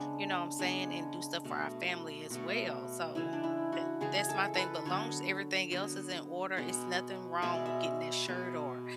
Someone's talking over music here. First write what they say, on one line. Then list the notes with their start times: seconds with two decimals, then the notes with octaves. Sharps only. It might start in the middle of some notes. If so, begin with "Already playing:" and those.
You know what I'm saying? And do stuff for our family as well, so that that's my thing. But long as everything else is in order, it's nothing wrong with getting that shirt or
Already playing: C#3 G#3 B3 D4
0.59 C#3 G#3 B3 D4
1.44 B2 A3
2.30 B2 A3
3.15 C#3 E3 G#3 E4
3.33 D4
3.43 E4
3.72 F#4
4.01 C#3 E3 G#3 G#4
4.29 A4
4.54 A4 B4
4.85 D3 F#3 B3 C#5
5.71 D3 F#3 B3
6.57 B2 G#3 B3
7.42 B2 G#3 B3 E5
7.54 D5
7.66 E5
8.28 B2 G#3 B3